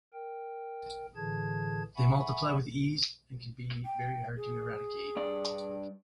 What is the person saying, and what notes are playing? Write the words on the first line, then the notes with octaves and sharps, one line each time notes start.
They multiply with ease and can be very hard to eradicate.
A#4 G5
A2 D3 E3 G#4 A5 G#6
E5 F#5 G#5 B5 C#6
G5
G#4
G2 D5